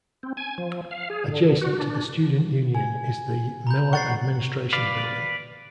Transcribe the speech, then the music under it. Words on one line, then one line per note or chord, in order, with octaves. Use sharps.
Adjacent to the Student Union is the Miller Administration Building.
C4
G#5
F3
F5
G#4
D3
F#4
D4
G#5
A#5 B5 G6
F#5 C#6 A6 C7
B4 D5 F5